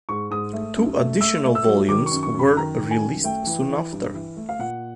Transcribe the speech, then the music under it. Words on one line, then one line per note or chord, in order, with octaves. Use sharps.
Two additional volumes were released soon after.
G#2 C#6
G#2 D#6
A3
F#2
A3
A3 E6
A3
E6
F#3
D#3 D6
C#6
F#2
C#6
F#2 B5
D#3 A#5
D#3
G#5
F#2
A3 G5
E3
E3
G2
E3
A3
F5
A#2 F#5